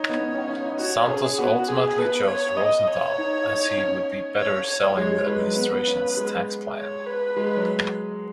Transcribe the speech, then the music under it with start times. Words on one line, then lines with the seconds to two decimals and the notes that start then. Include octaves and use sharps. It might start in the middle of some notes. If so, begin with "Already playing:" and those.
Santos ultimately chose Rosenthal, as he would be better selling the administration's tax plan.
Already playing: D#4 C#5
0.09 B3
0.19 C#4
0.34 C#4
0.48 C#4
0.64 D#4
0.79 F#4 C#5
1.08 C#4 G#4
1.39 B3 F#4
1.68 G#4
1.98 B3 B4
2.28 C#5
2.57 D#5
2.88 C#5
3.18 D#4
3.47 D#4
3.77 C#4
4.38 C#5
4.67 C#5
4.97 G#3 C#5
5.11 G#3
5.27 G#3 B4
5.42 F#3
5.56 B3
5.87 C#4
6.17 G#3
6.77 C#5
7.07 B4
7.36 G#3
7.57 F#3